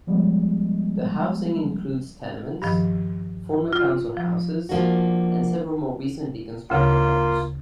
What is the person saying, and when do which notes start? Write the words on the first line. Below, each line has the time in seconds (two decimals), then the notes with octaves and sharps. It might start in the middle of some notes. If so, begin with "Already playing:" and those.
The housing includes tenements, former council houses and several more recently constructed homes.
0.07 F3 G3 G#3 B3
2.62 G2 D#3 F3
3.73 F4
4.17 F3
4.69 F3 A#3 D4 F#4
6.70 D2 C#3 A#3 F4 F5